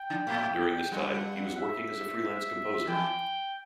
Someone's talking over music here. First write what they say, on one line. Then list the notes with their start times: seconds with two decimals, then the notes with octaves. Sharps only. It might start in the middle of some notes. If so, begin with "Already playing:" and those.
During this time, he was working as a freelance composer.
Already playing: G5
0.10 D3 D4
0.27 A2 A3
0.92 G2 G3 F#5
1.57 E5
2.87 E2 E3 G5